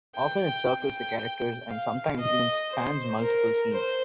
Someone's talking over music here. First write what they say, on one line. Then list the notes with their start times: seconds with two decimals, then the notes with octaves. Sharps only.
Often it circles the characters, and sometimes even spans multiple scenes.
0.16 G5
0.67 G5
1.69 F5
2.20 D#5
2.71 C5
3.22 A#4
3.73 C5